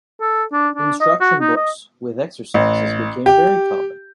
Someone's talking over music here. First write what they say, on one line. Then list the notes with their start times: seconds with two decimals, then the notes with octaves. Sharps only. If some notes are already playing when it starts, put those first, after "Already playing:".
Instruction books with exercises became very common.
0.21 A4
0.52 D4
0.76 D4
1.01 D#5
1.21 F#4
1.41 D#4
1.56 D#5
2.54 A1
3.26 G4